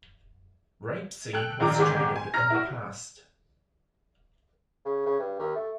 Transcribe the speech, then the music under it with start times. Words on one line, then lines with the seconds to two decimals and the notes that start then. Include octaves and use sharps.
Rapeseed was traded in the past.
1.33 A4 G5 F#6
1.60 A#1 D#3 F4 A#5 D6
1.78 G1 G#2 D#3 G#5 D6 G6
2.16 G#5
2.34 A#5 F6 A#6
2.50 E4 F#4
4.85 C#3
5.06 C#3
5.19 G2
5.39 D#2
5.55 A3